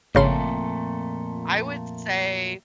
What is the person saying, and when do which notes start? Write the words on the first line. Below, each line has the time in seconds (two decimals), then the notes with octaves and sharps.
I would say,
0.15 G#1 F2 A#2 C#3 A3 C6